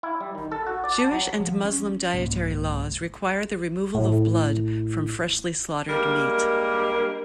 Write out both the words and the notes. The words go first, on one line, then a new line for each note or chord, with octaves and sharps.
Jewish and Muslim dietary laws require the removal of blood from freshly slaughtered meat.
E4
G3
D#3
A4
F#4
D5
A5
F#3
F3
C#4
C2 G#2 A#3
A2
G3 G#3 A#3 D4 A#4